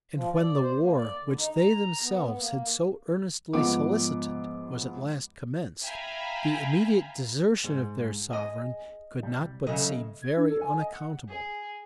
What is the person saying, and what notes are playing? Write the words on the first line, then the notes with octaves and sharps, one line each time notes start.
And when the war which they themselves had so earnestly solicited, was at last commenced, the immediate desertion of their sovereign could not but seem very unaccountable.
F3
D5
C5
A#3
D5
D3
D#4
A#5
B3
B3
A#3
G#2 F3 B3 D6
E5 F5 G5 G#5 A#5 B5
G#2
G#4 D#5
C2 G3
C2 C#3 F#3 A3 A#3 D#5
G#6
D4
A4
G#5
D#5
F#5
G#4